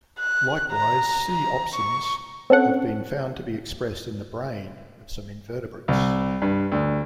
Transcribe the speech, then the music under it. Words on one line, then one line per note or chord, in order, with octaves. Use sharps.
Likewise, c-opsins have been found to be expressed in the "brain" of some invertebrates.
F#6
A#5
A#5
C#6
C4 C#4 A4 F#5
C2
G2
D2